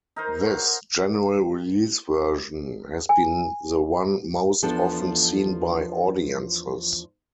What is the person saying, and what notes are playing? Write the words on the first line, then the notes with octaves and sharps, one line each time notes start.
This general release version has been the one most often seen by audiences.
D#4 A#4 C5
C5 C#5 F#5
G#5
E2 F3 B3 D4 A4